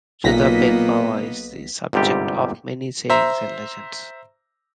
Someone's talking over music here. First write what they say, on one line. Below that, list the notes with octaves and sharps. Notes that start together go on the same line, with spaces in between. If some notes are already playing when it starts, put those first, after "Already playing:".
Judah ben Bava is the subject of many sayings and legends.
B1 A#2 A#3 B3 D#5 A#6 B6
G1 G#2 C3 G3 G4
C5 E5 A#5